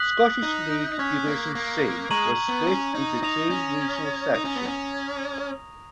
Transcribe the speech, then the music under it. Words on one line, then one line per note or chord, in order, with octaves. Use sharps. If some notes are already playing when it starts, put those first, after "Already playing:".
Scottish League Division "C" was split into two regional sections.
Already playing: D#6 F#6 B6 F#7
D#4
C#4 C#6 F6 G#6 B6
A#3
A#3
G#3 A#5 C#6 G#6 D#7 F#7
B3
C#4
D#4
D#4 D#6 A#6 F7
C#4
D#4 D#6 A#6 F7
C#4
B3
C#4